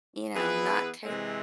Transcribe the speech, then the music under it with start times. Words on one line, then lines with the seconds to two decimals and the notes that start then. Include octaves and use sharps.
you know, not take
0.35 E3 B3 E4 G#4 B4
1.04 C3 E3 G#3 C4